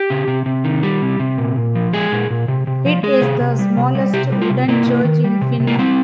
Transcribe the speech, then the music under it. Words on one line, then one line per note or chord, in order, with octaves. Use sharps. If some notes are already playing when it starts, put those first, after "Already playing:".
It is the smallest wooden church in Finland.
Already playing: G4
C#3
C3
C3
D#3
G3
C3
C3
A#2
A#2
F3
G#3 G#4
A#2
A#2
C3
C3
F3
G#3 G#4
C3
C3
G3
C3
G3
C3 G4
G3
F4
C3
C3 A#3
C3
D#3
G3
C3
C3
A#3
G3 C4